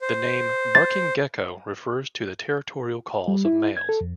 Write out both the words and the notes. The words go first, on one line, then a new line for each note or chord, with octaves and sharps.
The name "Barking gecko" refers to the territorial calls of males.
C5
A6
G3
E4
G#6
A4
F2